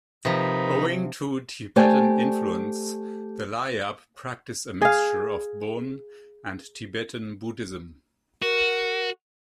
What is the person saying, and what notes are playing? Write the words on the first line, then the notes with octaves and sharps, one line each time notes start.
Owing to Tibetan influence, the Layap practice a mixture of Bon and Tibetan Buddhism.
C3 F3 D#4 A#4 B4
A3 G4 C5 D5 G#5 A5
G#4 F5
F#4 A#4